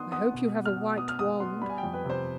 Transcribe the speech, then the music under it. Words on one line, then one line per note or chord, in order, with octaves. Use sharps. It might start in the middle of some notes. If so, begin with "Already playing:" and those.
I hope you have a white wand.'
Already playing: D#3 B3 C6 D#6
B3 D#6
B2
B3
F6
B2
B3 D#6
F6
B3 D#6
B3 C6
G3 B5
G#5
G5
F2
B4
C3 C5